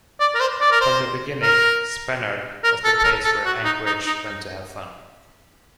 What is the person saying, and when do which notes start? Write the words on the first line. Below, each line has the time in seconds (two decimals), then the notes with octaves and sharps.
From the beginning, Spenard was the place where Anchorage went to have fun.
0.20 D5
0.35 A#4
0.40 C5
0.61 D5
0.72 A#4
0.81 C5
1.42 A#4
2.64 A#4
2.85 A4
2.99 A4
3.04 A#4
3.24 A4
3.45 F#4
3.65 D#4
3.86 D#4
4.06 D#4